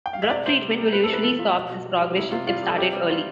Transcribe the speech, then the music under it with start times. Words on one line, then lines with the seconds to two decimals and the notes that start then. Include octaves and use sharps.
Drug treatment will usually stop this progression if started early.
0.06 G5
0.13 F5
0.22 E5
0.30 C3 D5
0.46 C3 C5
0.62 G3
0.77 G3
0.92 C3 B4
1.04 A4
1.08 C3
1.13 B4
1.23 F3 A4
1.39 F3 F4
1.55 B2
1.69 B2
1.86 G3
2.02 G3
2.16 C3 E4
2.32 C3 F4
2.47 G3 F4
2.63 G3 A4
2.78 C3 G4
2.93 G3
3.09 C3 F4